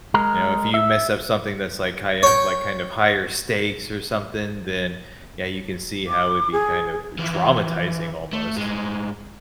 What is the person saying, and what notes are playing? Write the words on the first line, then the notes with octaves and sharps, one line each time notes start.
you know, if you mess up something that's, like, highe like, kind of higher stakes or something, then, yeah, you can see how it'd be kind of, uh, traumatizing almost.
G#3 A#4
E5
C#5 G5
D6
G#4
E3 F3
A3
G2 G#3